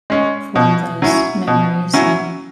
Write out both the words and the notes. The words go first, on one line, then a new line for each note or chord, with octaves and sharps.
form those memories, and
G#3 C#4
B2
F#3 C#4 E4
B2
F#3 C#4 E4